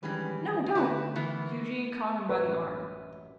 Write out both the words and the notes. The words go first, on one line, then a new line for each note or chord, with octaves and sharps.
'No, don't!' Eugene caught him by the arm.
D#3 E3 G3 G#3 C#4 B4
D3 A3 E4 F#4 B4
D#3 E3 B3
A1 F#2 B4